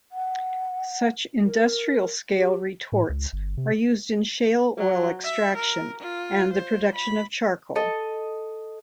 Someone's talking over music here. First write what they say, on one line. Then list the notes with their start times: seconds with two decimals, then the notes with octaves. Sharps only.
Such industrial-scale retorts are used in shale oil extraction and the production of charcoal.
0.12 F#5
1.44 A#4
2.34 G4
2.92 A2
3.09 C#2
3.33 G1
3.57 C3
4.78 F#3
5.24 E5
5.56 A#4
6.00 F4
6.53 C5
6.95 B5
7.76 A4 D#5